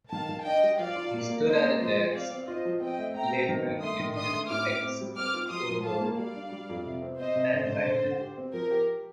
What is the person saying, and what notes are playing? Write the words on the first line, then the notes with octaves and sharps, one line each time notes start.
He stood at the desk, labouring in his execrable handwriting.
D#3 F5 A5
D#3
D4 D#5 G5
G3
F3 D5 F5
F4
A#3
A#3
A#3 C5 D#5
A#3
F3 C5 D#5
F3
C4 D5 F5
C4
F4 C5 D#5
F3
C4 D#5 G5
A3
A3 G5 A#5
C4
D#3
G2
A3 C6 D#6
D#3
D4 C6 D#6
A3
A2 D6 F6
A2
C4
G3
C4 D6 F6
F4
F3 C6 D#6
F3
F3 F5 A5
A#3
G3 D5 F5
D4
G3
F2
C3
C4
C4 C5 D#5
C3
D3 C5
D3
D3
D3
G4
C4
F3 A#4
G4